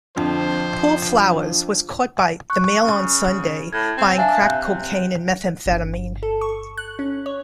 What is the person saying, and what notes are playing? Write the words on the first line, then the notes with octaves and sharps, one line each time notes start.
Paul Flowers, was caught by the "Mail on Sunday" buying crack cocaine and methamphetamine.
F2 D3 F3 C5
C#6 F#6
C#3
A2 G#6
C4
D4 E5 F5 G#5
C3 F#6 G6
G1
A4
C#6
F#6
C#4
C#5